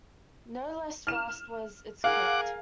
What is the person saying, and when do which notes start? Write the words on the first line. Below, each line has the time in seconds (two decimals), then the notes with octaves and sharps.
No less vast was its crypt.
1.07 F6 E7
2.04 G#4 A#4 F5 F#5 D6